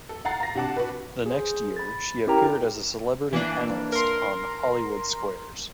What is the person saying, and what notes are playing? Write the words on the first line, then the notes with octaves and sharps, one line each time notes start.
The next year, she appeared as a celebrity panelist on "Hollywood Squares".
A4
F5 F#5 A#5 A6 C7
A#5 A#6
C3 D4 F#5 A5 D6
F#4 B4
G#4 C5
B5 A6
C#4 E4 G4 A#4 G5 A#5
E3 A#3 D4
A#4 C6